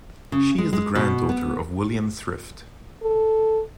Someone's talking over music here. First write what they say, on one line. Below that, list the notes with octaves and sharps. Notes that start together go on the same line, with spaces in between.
She is the granddaughter of William Thrift.
C#3
G#3
G#3
B2
B3
A4